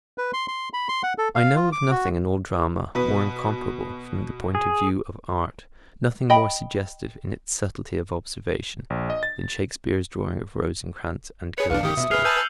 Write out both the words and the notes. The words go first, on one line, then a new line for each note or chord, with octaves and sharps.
I know of nothing in all drama more incomparable from the point of view of art, nothing more suggestive in its subtlety of observation, than Shakespeare's drawing of Rosencrantz and Guildenstern.
B4
C6
C6
B5
C6
F#5
A4
F5
F4
D6
F#4
B2 B4
G#4
D#5 G5 B5
A#1
D#5
A6
G#4 B4 C#5 C#7
B1 D4 B4 F5
D#3 G4 D#6
B2 E5
G#4 B4 F6 C7 F7
B4 G#5 A5 E6 G6 D#7